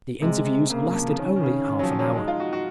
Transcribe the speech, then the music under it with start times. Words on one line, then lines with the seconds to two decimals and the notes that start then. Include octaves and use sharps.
The interviews lasted only half an hour.
0.22 C3 G#3
0.46 C3
0.70 C#3 A#3
0.94 F3
1.08 C#3
1.19 D#3 C#4
1.36 D#3
1.43 C#3
1.67 D#3
1.79 F#3
1.83 F3
1.99 F#3
2.15 G#3 D#4
2.28 F4
2.40 F#4
2.53 F#4